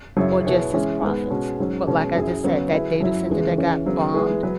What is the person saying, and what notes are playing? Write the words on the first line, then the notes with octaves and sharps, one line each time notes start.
or just its profits? But, like I just said, that data center that got bombed,
F#2 C#3 F#3 E4 C#5
B2 B3 E4 G#4 C#5
E3 G#3 C#4 G#4
G#2 G#3 B3 G#4
B2 G#3 C#4 F#4
G#2 F#3 C#4
B2 G#3 C#4
F#2 F#3 E4 G#4
C#3 F#3 B3 G#4 C#5
F#3 E4 G#4 B4
F#2 F#3 C#4 E4
E2 C#3 E3 G#3
C#3 E3 C#4
C#3 F#3 B3
E3 G#3 B3 G#4
F#3 G#4 B4